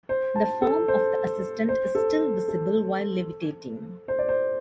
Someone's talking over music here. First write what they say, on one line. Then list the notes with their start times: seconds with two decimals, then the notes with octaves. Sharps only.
The form of the assistant is still visible while levitating.
0.09 C5
0.36 A5
0.62 A4
0.88 C5
1.69 C5
1.95 A4
2.48 A4
4.08 C5
4.19 D5
4.28 C5